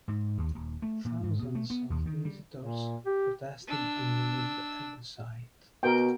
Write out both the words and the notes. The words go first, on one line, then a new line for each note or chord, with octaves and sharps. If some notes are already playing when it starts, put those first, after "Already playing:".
Thousands of visitors protested and grieved at the site.
G#2
D#2
D#1
A3
A#2
G#2
B2
A3
B3
D#2
D#3
G3
A#2
G4
D4 E6
B2 A#4 G5